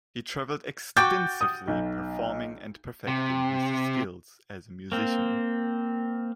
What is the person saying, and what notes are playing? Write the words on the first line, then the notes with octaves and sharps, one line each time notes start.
He traveled extensively performing and perfecting his skills as a musician.
F#4 G5 C#6 D6 G6 A6
D#6
B1
C3
A#3 C4